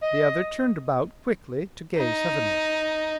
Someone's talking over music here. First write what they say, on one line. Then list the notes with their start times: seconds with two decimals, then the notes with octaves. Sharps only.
The other turned about quickly to gaze heavenward.
0.03 D#5
1.97 D#4